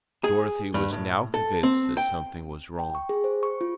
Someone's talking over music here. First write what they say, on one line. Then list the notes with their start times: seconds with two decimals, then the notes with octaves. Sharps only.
Dorothy was now convinced that something was wrong.
0.24 G#4
0.74 G2
0.93 A2
1.34 A4
1.63 C4
1.97 G5
2.79 G5
2.95 C#6
3.09 G#4
3.24 C5
3.43 C#6
3.61 F4